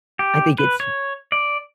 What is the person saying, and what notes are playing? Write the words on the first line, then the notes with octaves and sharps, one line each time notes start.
I think it's
G4
B4
C#5
D5